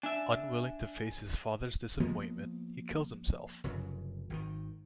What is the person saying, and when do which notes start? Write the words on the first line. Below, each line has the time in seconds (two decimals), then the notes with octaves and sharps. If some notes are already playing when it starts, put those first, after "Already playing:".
Unwilling to face his father's disappointment, he kills himself.
0.03 D4 E5 G#5
2.00 F3 G#3 A#3 B3
3.64 F1 F#2 C#3
4.30 G#1 C3 D#3